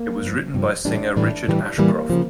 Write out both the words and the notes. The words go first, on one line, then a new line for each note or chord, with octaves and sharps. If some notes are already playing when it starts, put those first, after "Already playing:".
It was written by singer Richard Ashcroft.
Already playing: A#3
G2 F3
G2 F3
A2 E3 G3 D4
A2 E3 G3 D4
A2 E3 G3
A2 E3 G3 A#3
C#3 F3